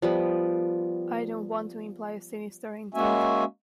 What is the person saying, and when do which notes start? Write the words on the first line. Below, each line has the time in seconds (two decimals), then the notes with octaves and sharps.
I don't want to imply a sinister intent.
0.02 F3 G3 B3
2.94 G#3 A#3 C#4 F#4 E5 G#5